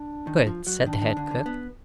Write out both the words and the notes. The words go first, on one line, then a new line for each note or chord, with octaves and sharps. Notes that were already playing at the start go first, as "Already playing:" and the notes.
'Good,' said the head cook.
Already playing: D4
D#3
F3
F#3
D#3 D4
D#3
D3
D3
B3